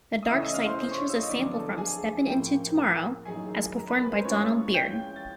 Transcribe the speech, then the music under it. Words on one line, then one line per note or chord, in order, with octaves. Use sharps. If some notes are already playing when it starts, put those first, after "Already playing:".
"The Darkside" features a sample from "Steppin' Into Tomorrow" as performed by Donald Byrd.
D#6
C#3 E3 A3 C#4 E5 E6
D#5 D#6
F5 F6
C5 C6
C5 C6
C#5 C#6
E6
D#5 D#6
F2 D3 F#3 B3 D4 D5 D6
A4 A5
G#4 G#5
A2 F3 A#3 G5
F#2 D#3 F#3 A#3 D#4 G#4 G#5
A#4 A#5
B4 B5
B4 B5
C5 C6
E3 G#3 C#4 F4 C#5 C#6
G5 G6
A6